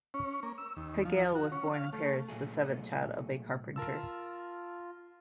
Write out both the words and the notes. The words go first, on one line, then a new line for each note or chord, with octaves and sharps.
Pigalle was born in Paris, the seventh child of a carpenter.
C#4
A#3
E6
D#2
F3
F#4
C#4
F5
A3
A#2 F#3 A3 G#4
F4 A#4 A5 E6